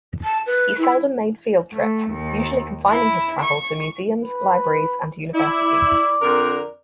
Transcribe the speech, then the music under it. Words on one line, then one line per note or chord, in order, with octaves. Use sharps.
He seldom made field trips, usually confining his travel to museums, libraries and universities.
A5
B4
E4
A3
D#2
E4
C#6
B4
E4 D5
F2 D3 A#4